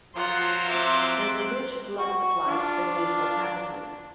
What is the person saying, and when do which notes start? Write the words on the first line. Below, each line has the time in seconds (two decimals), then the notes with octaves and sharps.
There is a rich blood supply to the nasal cavity.
0.16 F3 F#3 F4 F#5 A#5 C6
0.68 C4 E5 D6 F#6
1.99 F#4 C#6
2.47 D4 F4